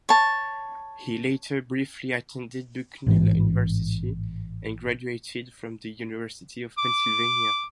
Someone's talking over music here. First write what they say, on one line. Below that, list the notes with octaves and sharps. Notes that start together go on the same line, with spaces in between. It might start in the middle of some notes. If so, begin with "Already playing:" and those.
He later briefly attended Bucknell University and graduated from the University of Pennsylvania.
C#5 A5
A1 G#2 E3
D6